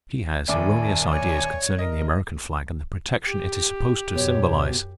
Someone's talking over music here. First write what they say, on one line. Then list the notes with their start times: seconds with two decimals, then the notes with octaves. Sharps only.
But she has erroneous ideas concerning the American flag and the protection it is supposed to symbolize.
0.48 D#1 D#2 D5 E5 G#5 D6
0.85 A5
1.11 C#5 G#5
1.79 A#4 D#5
3.25 G4
4.15 F#2 B2 C#5